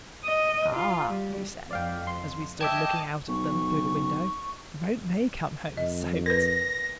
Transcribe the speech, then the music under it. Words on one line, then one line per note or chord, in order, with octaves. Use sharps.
"Ah!" we said, as we stood looking out at them through the window, "won't they come home soaked!"
D#5
F4
G3
F2 D5 F5 G5
C6
D#5 E5 G5 A5 D6 G#6
B1 C#6
F2 D#5
A#4 B4 A#6